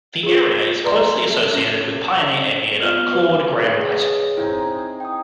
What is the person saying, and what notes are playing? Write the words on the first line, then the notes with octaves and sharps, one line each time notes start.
The area is closely associated with pioneer aviator Claude Grahame-White.
F4 G#4
B4 D5 A#5 C6
E5 A5
C#4
B3 F4 F6
B4
C#3 D#5
C4 D#4 E4 G#5
G5 D#6